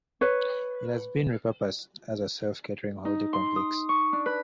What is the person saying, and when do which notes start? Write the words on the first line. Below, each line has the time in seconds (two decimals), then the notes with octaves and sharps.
It has been re-purposed as a self-catering holiday complex.
0.21 B4 C#5
3.05 D#4
3.33 C6
3.56 D#6
3.89 C#6
4.13 D4
4.26 B4